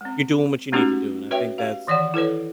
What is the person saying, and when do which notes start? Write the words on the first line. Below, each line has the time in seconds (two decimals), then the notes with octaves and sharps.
you're doing what you need to do," and I think that's
0.01 G#3 C4
0.73 G#3 A3 C#4 D#4 F#4 G4
1.31 F#4 B4 C#5 E5 G5
1.58 G4 F5
1.87 D#3 E3 C#5 D5 F#5
2.14 E4 A4 B4 C#5